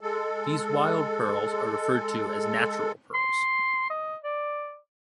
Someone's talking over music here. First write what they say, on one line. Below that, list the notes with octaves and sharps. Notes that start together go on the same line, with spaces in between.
These wild pearls are referred to as "natural" pearls.
G#3 A4
C6
D#5
D5